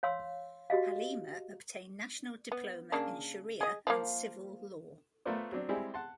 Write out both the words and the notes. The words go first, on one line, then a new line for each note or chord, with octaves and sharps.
Halima obtained National Diploma in sharia and civil law.
C#5 F5 C6 E6
F#4 G4 D#5 F5
B3
C#3 A#3 D4
G#4 D#5
F3 F#3 A#3
A3 B3 F4 A#4 C5 D5
F#3 C4 D4
G3 G#3 C4 E4 G4 G#4
F#5 A5 C6